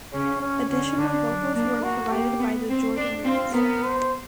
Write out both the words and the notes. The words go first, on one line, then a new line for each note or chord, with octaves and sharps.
Additional vocals were provided by The Jordanaires.
C#3 C#4
C#4
D3 C#4
D3 D4
F#3
A#3 D4
A#3 F#4
A#3 G4
B3
C4
D4
C4 F4
B3 A#4
C5